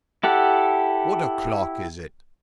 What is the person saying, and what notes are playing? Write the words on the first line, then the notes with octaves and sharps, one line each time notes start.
"What o'clock is it?"
E4 G4 A4 F#5